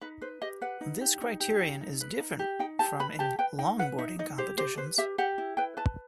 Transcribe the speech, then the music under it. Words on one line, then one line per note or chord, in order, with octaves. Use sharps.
This criterion is different from in longboarding competitions.
D#4 B4
B4 C5
G4 D#5
B4 F#5
D#4
G4
D#4
G4
D#4
D#4
B4
D#4
G4
D#4 G5
G4 A5
B4 B5
G4 A5
B4 G5
D#4 G5
B4 F#5
D#4 E5
D#4 D#5
G4 C5
G4 C5
B4 C5
G4 E5
G4 F#5
E4
B4 G5
B4 A5